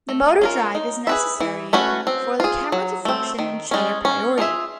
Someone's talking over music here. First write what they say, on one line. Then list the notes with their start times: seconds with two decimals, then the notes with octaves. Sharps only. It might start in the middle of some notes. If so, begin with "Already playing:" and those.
The motor drive is necessary for the camera to function in shutter priority.
0.09 A3
0.41 C#4 F4 A#4
0.75 D#4
1.07 G#4 B4 E5
1.40 E3
1.73 A3 C#4 F#4 B4
2.07 C4
2.40 F4 G#4
2.72 F#3
3.05 A3 C4
3.39 D#3
3.71 G#3 C#4
4.05 C#4
4.38 F4 G#4 C5 E5